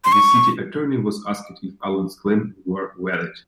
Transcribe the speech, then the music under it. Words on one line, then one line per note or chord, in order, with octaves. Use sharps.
The city attorney was asked if Allan's claim were valid.
C6
C#6